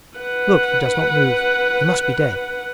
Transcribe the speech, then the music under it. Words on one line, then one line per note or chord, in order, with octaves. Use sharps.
Look, he does not move--he must be dead!
B4 F#5